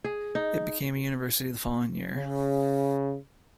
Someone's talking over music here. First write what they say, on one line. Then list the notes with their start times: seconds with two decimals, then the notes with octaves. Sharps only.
It became a university the following year.
0.04 G#4
0.35 D#4
2.14 C#3